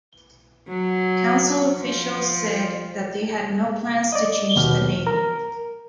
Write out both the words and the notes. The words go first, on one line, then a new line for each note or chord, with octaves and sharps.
Council officials said that they had no plans to change the name.
F#3
F3
D5 D#5
D#2 B2 G4 F6
A#4